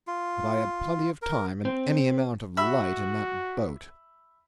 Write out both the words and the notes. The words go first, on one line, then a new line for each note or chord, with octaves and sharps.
But I had plenty of time and any amount of light in that boat.
F4
A#4
C4
F#4 E5 B5 E6